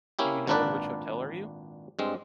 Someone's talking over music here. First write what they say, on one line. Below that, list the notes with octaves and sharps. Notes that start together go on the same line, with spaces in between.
Do you know in which hotel are you?
A#3 C#4 E4 G4
G#1 A#2 D4 A#4 B4 D5
G2 G#3 C4